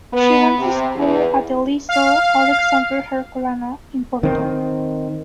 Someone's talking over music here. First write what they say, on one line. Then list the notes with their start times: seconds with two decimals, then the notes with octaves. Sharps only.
She went to school at the "Liceu Alexandre Herculano" in Porto.
0.13 B3
0.59 C3
0.96 E2
1.89 F5
4.23 D#3 C4